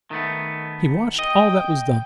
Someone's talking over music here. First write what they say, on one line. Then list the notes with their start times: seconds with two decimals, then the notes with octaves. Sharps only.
He watched all that was done.
0.11 D#3 A3 B3
1.19 D#5 G5